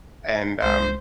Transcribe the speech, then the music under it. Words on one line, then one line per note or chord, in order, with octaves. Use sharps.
and, um
C2 G#3 C5